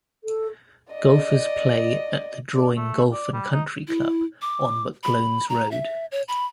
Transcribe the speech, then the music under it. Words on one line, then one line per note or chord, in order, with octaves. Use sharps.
Golfers play at the Drouin Golf and Country Club on Mcglones Road.
A4
D5 D#5
D5
A3
D5
G3
D#4
E4
D6
B5
A#5
E5
C#5
B5